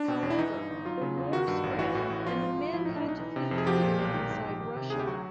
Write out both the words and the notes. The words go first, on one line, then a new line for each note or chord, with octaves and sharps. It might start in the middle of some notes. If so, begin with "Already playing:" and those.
However, the war spread and the men had to flee further inside Russia.
Already playing: D4
B2
E2
E4
E3 D#4
G2
G1
F#3 F4
C#3
E2
D#3 F#4
G2
A1
E3 F#4
A2
A1
F3 F4
G#2
G#1
F3 E4
A2 D#4
D4
B1 D#4
E3
C3
F2
G#4
F3 G4
A#2
B1
D#3
G#2
A#1
D#3
C3
D2 G#4
G4
F#3 F#4